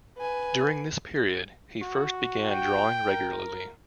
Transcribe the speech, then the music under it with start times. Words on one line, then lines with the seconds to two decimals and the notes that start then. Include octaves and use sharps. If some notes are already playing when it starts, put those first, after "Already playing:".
During this period he first began drawing regularly.
0.18 B4 G#5
1.82 F#4
2.42 G5
3.08 A#4